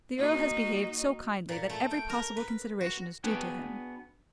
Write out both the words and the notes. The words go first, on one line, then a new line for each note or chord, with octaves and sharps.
The earl has behaved so kindly that every possible consideration is due to him.
A#3 D#4 F#4
A#2
A3
G5
A#4
B4
F#4
B3 D4 F#4 G#4 B4 G5